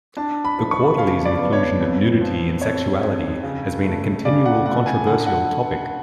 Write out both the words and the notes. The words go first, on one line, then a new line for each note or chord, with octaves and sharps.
The "Quarterly"'s inclusion of nudity and sexuality has been a continual controversial topic.
D4 A5
B5
F3
C#6
C#3 F5
D5
B3
C#5
F2
F3
F2 C#5
F2
C#3
A3
C#3 D5
F#5
A3 F#5
G#5
D3 F#5
F#5